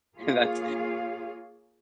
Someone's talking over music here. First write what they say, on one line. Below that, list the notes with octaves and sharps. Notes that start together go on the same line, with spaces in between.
and that's,
A#3 F4 G#4 C#5 F5